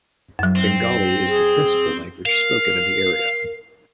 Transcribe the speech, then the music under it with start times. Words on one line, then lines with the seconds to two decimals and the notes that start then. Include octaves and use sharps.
Bengali is the principal language spoken in the area.
0.39 F#2 F#3
0.55 C4
1.28 G#4
2.26 A#4 F5 C7